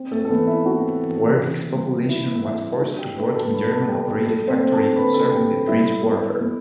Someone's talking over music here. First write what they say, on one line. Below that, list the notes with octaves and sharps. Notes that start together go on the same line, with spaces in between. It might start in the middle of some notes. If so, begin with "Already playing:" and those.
Wervik's population was forced to work in German operated factories serving the trench warfare.
Already playing: C4
A3 A4
A4
E3 B3 B4
E4 E5
C4 F#4 F#5
E3
E3
G3
C4 E4 E5
G3 E4 E5
D4 F#4 F#5
G4 G5
D4 B4 B5
A4 A5
G3 B4 B5
A4 A5
B3 G4 G5
F#3 A3 A4
C4 C5
A3
A4 A5
D3 B4 B5
A4 A5
A3 G4 G5
G3 E4 E5
B2
B2